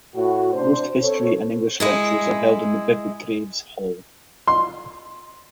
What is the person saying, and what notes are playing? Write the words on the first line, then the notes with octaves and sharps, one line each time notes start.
Most history and English lectures are held in Bibb Graves Hall.
A2 F#4
C3 D4 C5
C4 A4 C#5
G#3 E4 G#4
C6